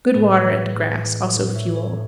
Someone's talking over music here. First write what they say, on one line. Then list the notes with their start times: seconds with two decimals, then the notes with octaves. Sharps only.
Good water and grass, also fuel.
0.15 A2 G#4 B4
0.45 E3
0.75 A2
1.06 E3
1.35 A2 A4 C#5
1.55 C#5 E5
1.66 E3
1.76 A4 C#5